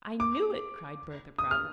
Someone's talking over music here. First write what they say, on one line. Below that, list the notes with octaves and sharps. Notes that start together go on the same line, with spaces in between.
"I knew it!" cried Bertha, proudly.
D6
D#6
F6